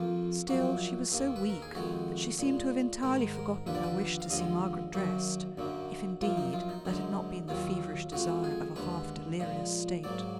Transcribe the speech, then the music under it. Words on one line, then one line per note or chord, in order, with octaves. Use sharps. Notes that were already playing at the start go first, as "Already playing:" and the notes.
Still she was so weak that she seemed to have entirely forgotten her wish to see Margaret dressed--if, indeed, that had not been the feverish desire of a half-delirious state.
Already playing: F2 F3 A#3 F4
F#2 F3 A#3 F#4
D#2 D#3 A#3
B4
A#4
G#4
F2 D#3 G#3 F#4
A#2 G#3
G#2 D#3 G#3 A#4
A#4
D#2 D3 F3 A#3 B4
D5
B4
F5
D#2 D3 F3 G#3 D#5
F#2 D#3 F#3 A#3
F#2 D3 F#3 A#3
F#2 F3 A#3 F4
D#4
F4
D#4
F#2 D3 G#3 D#4
D#2 D#3 F#3 F4
F2 F3 G#3 F#4
G#4
D#2 D3 G#3 B4
A#2 F3 G#3
G#2 F#3 A#3 D5